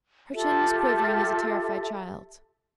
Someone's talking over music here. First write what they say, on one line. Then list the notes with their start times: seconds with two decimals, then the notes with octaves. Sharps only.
Her chin was quivering as a terrified child's.
0.34 F4 G4 A4 E5